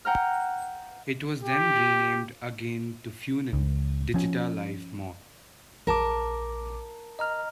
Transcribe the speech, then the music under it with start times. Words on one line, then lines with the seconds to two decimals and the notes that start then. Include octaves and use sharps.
It was then renamed again to Funan DigitaLife Mall.
0.05 F#5 G5 A#5 F6
1.43 G4
3.53 C#2
4.14 F3 C#4
5.87 A#1 A#4 A5 D6
7.19 D#5 A#5 F6